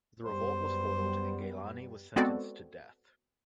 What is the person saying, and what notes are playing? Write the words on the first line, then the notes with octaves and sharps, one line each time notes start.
The revolt was foiled and Gaylani was sentenced to death.
F#2 G3 B3 C5
G#3 B3 C4 F#4 A4 D5